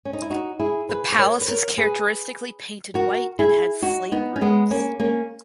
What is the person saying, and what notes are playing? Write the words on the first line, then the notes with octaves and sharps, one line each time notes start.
The palace was characteristically painted white and had slate roofs.
C#4
D#4
E4
D#4 F#4
E4 G#4
G#4 B4
B4
A#4 C#5
B4
A#4 C#5
G#4 B4
F#4 A#4
E4 G#4
D#4 F#4
B3 D#4
C#4
G#3 B3
A#3 C#4
A#3 C#4